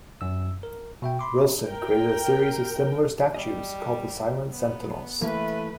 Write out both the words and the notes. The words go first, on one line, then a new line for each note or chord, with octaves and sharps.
Wilson created a series of similar statues called the Silent Sentinels.
F#2 E6
A#4
B2 E5 G5
B5 C6 D6
A#4 G5
G3 D#5
B3
E3 A3 A#3 B4